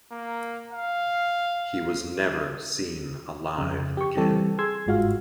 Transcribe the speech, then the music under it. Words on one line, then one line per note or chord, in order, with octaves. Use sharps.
He was never seen alive again.
A#3
F5
F2 C#3
G4 C#6
E3 G3 C4 G4 A4
G#4 C6 E6 G#6
G1 G#2 G#3 F4 F#4 F5